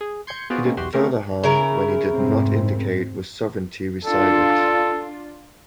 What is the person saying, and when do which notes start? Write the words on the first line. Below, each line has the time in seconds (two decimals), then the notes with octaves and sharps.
He did further harm when he did not indicate where sovereignty resided.
0.01 G#4
0.27 C6 G6 G#6 C#7
0.50 B3 F4 F#4 G#4 C5 D5
0.65 B2 G#3 A#3 C4 C#4
0.77 B1 E2 F#4 G4 C6
0.94 A3 C4 C#4 G4 A#4
1.44 C#3 E4 A#4
2.15 F1 G#2 C4
4.05 D4 F4 A4